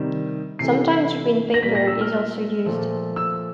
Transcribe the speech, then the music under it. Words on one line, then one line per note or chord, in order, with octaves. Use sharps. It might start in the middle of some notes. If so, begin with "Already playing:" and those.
Sometimes green paper is also used.
Already playing: C3 D#3 G3
C3 E3 A3 C7
A#6
A#2 G3 A#3 B6
A#6
E6
F6
A#2 F3 A3
E6